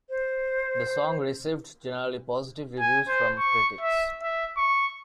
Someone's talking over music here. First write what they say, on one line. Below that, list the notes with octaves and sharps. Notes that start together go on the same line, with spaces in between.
The song received generally positive reviews from critics.
C5
G#5
C5
C#6
E5
E5
C#6